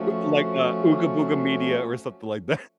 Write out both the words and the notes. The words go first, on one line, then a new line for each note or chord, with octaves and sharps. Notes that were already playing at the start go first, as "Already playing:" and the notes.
Like, uh, Ooga Booga Media or something like that.
Already playing: F3 A3 C#4 F#4